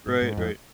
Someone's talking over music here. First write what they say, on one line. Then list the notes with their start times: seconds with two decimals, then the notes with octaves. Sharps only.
Right, right.
0.07 G#2
0.22 G#2
0.37 F2